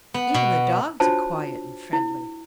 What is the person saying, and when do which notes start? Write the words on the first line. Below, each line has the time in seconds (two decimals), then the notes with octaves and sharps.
Even the dogs are quiet and friendly.
0.14 B3
0.34 B2
1.00 D4 F4 F#4 C5 C#5 A5
1.93 E4